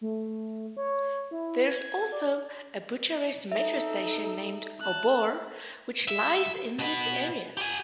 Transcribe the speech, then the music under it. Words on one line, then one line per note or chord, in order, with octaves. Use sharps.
There is also a Bucharest Metro station named Obor, which lies in this area.
A3
C#5
E4
G#6
D5
D#4 A4 E5
A5 F#6
E5
B2 B4
G4 G#5